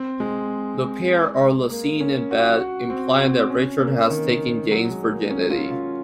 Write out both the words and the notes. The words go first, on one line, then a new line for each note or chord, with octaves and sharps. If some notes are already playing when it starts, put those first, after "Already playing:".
The pair are then seen in bed, implying that Richard has taken Jane's virginity.
Already playing: C4
G#3
A#3
C#4
F#4
F#4
C4
C4
C#4
A#3
D#3
F#3
G#3
A#3
C#4
F4
F4